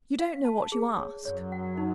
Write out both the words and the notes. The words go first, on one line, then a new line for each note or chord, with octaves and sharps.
"You don't know what you ask."
F5
A5
G#4
C#5
F#2 F#3 C#5
F#5
D#4